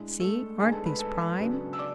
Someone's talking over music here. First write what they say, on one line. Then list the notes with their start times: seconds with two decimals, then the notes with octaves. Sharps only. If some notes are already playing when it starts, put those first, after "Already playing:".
"See--aren't these prime!"
Already playing: A2 G#3 D4
0.20 A3 A4
0.59 G#2 G#3 B3 D4 G#4 G#5
0.72 A4 A5
0.85 B4 B5
0.99 A4 A5
1.39 C#3 F#3 B3 D4
1.73 E6
1.79 D5 D6